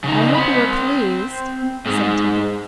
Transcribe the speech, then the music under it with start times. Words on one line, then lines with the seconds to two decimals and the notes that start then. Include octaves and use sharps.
"I hope you were pleased," said Tibby.
0.04 C#3 D#4
0.35 C4 B5
1.86 G#2 G#3